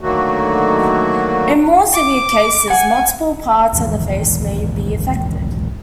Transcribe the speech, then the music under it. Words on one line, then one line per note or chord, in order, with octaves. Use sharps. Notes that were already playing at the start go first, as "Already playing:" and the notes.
In more severe cases, multiple parts of the face may be affected.
D3 D#3 F#3 A3 A#3 F#4
D6
F#5 G#5
A#1 D#2 G#2 E3